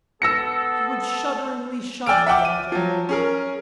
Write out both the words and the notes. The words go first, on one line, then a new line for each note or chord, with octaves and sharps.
He would shudderingly shun the young gentleman.
B3 A4 E6 A#6 C#7
D5 G5 G#5 E6 F6 D7
E5 F#5 G5 D6
D#7
F3 F#3
C#4 G#4 A#4